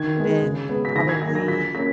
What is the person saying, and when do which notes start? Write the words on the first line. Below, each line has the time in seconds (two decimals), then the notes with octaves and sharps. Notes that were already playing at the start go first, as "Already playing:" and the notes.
been probably
Already playing: D#3 G#6
0.17 G#3 B3
0.42 C#3
0.69 G#3 B3
0.85 B6
0.96 D#3 A#6
1.09 G#6
1.22 F#3 A#3 A#6
1.35 A#6
1.48 F3 B6
1.74 A#3 C#4 B6